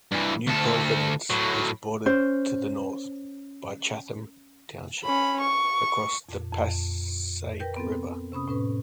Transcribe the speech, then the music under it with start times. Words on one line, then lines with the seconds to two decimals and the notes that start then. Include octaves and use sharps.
New Providence is bordered to the north by Chatham Township, across the Passaic River.
0.11 G2 E3
0.47 D2 A4
1.30 A2 F#3
2.06 C#4 C5
5.04 C#4 B5
5.41 C#6
6.29 F2 A#2
6.53 F2
7.60 A#4 B4 G5 G6
7.76 B3 C4 A4
8.32 C3 C#4 B5 D#6
8.48 A2 C#4 B4